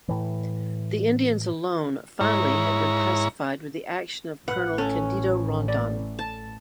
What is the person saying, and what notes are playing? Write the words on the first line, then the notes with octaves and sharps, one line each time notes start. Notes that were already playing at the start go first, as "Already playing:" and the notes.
The Indians alone finally had been pacified with the action of colonel Candido Rondon.
A2 E3
G#2 E4 C#5 A#5
A1 A2 B4 F#5
C#4 A4
D5
A5